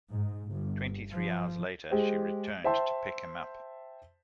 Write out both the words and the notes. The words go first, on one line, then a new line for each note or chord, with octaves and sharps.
Twenty-three hours later, she returned to pick him up.
G#2
G1
F3
G#3 G4 C5
C5 E5 G5 A5 C6